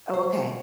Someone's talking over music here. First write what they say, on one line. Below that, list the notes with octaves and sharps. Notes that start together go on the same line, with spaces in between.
Oh, okay.
C5